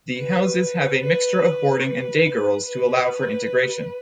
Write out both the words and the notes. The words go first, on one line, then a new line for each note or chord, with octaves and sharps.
The houses have a mixture of boarding and day girls to allow for integration.
B4
B4
B4
B4